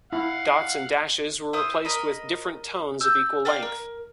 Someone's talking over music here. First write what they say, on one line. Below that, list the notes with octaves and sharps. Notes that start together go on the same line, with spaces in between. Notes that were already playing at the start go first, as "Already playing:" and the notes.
Dots and dashes were replaced with different tones of equal length.
E4 F5 F#5
E4 C5 D#6
A#4 D#5 B5
E6 G6
D5 F5 G5
A#4